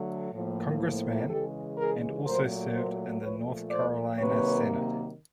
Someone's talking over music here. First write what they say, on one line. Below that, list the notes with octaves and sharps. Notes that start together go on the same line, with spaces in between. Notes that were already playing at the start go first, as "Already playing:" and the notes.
Congressman and also served in the North Carolina Senate.
Already playing: D3 F#3 A3
A2 F3 A#3
C#3 E3 G#3 G4 A4
G#4 A#4
A#2 F#3 A3 A#4 C5
A#4 C5
A#2 F3 A3 B4 C#5
C5 D5
C3 D#3 F#3 A#3 B4 C#5